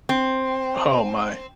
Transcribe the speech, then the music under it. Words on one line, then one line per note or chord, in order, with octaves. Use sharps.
Oh, my.
C4